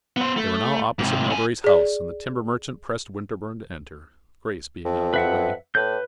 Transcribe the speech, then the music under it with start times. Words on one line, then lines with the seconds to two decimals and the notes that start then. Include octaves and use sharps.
They were now opposite Melbury's house, and the timber-merchant pressed Winterborne to enter, Grace being out of the way.
0.17 B3 C5
0.37 A3
0.99 G#2 C3
1.30 D3 G#5
1.64 G#4 D5
4.85 F2
5.14 B4 E5 F#5
5.75 A2 B4 G6